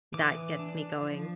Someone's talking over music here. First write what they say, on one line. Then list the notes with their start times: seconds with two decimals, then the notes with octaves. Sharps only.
that gets me going.
0.14 E3 D6
0.59 D4
1.02 F3